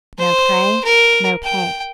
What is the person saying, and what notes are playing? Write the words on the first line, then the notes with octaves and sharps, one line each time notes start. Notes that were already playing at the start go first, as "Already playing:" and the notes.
No prey, no pay.
C5
A#4
G5